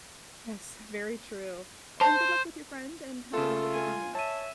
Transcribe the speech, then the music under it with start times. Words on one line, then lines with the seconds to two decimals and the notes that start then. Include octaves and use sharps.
Yes, very true. Well, and good luck with your friend, and have a wonderful evening.
2.01 C5 A5
3.33 C#3 A3 F4 A4 A5
3.72 G#5
4.15 C#5 E5 A5 D#7